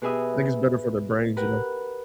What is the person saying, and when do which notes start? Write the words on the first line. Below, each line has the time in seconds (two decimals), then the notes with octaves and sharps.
I think it's better for their brains, you know?
0.02 B2 G4 G#4 B4 E5 D#6
1.36 G4 A#4 B4 F#5